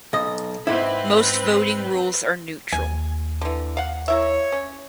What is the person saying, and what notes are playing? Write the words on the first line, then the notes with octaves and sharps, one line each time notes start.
Most voting rules are neutral.
B1 D#5
G#2 C4 E4 B4
D#2 G#5
D3 E3
F5 F#5
A#3 E4 C#5 E5
C#4